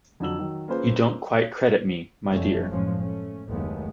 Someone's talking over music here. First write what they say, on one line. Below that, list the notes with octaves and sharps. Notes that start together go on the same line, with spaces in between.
You don't quite credit me, my dear!
F2 D3 F#3 E6 F#7
D#3 F#3
A#3 C#4 F4 G#4 B4 C5
F1 F#2 F3 G3 A3 C#4
F#1 A2 F3 G#3 C#4
A3 C#4
F#1 D#2 G#3 A3 B3